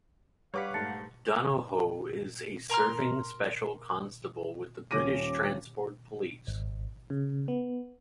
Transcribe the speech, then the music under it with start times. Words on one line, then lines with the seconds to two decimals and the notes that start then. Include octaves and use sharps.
Donohoe is a serving Special Constable with the British Transport Police.
0.54 G3 B4 C#5 F5 F#5 D6 B6
0.74 G#2 A3 A5 A6 C#7
2.70 A#4 A#5 C6 F6
4.91 D#1 C#4 D6 A#6 D#7
6.47 G#1
7.10 C#3
7.48 B3